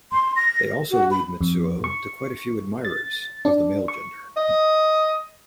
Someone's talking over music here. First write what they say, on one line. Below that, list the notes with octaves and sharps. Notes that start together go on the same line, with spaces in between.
They also lead Mitsuo to quite a few admirers-of the male gender.
C6
A#6
F#4
B5
F2
C#6
A6
D4
C#6
D#5